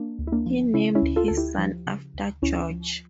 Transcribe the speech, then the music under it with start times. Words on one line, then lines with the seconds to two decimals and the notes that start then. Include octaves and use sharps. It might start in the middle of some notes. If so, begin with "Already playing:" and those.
He named his son after George.
Already playing: A#3 D4
0.19 D2
0.27 E4
0.32 A#3 D4
0.46 F3
0.74 C#3 C#4 E4
0.95 C#4 E4
1.02 D2
1.16 F4 A4
1.28 D2 A4
1.37 E4 G4
1.58 F3
1.87 C#3
2.14 D2
2.42 D2 C#4 E4
2.70 F3